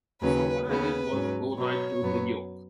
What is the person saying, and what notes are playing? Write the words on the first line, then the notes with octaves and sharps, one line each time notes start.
So what I did was go right to the 'yoke'.
D#2 C#3 F#3 C#4 B4
D#2 C#3 B3 B4
G#2 F#3 C#4
B2 F#3 B3 C#5
F#2 F#3 B3